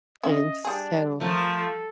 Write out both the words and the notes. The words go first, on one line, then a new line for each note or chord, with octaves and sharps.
and so
C#4 D#5 E5
G3 D4 G#4
F3 A3 A#4
A4